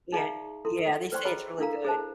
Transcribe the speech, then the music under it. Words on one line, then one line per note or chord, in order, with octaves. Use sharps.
Yeah, yeah, they say it's really good.
D#4 G#4 D5 E5 F5 A#5
E4 A4 C6
B4 C5 D5 G5 C6 C#6
G#4 B4 D#5 A#5 B5
D4 E4 A4 A#4 F5 A#5
G#4 C5 A5